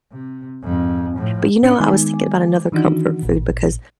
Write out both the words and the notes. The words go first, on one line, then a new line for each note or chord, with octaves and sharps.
But you know what? I was thinking about another comfort food, because
C3
F2 G#2
A2 F3
A2 C#4 D4 C#7
D#3 G#3 B3 D#4 G#5 D6
D#3 E3 D4 D#4 F#4
A1 A#2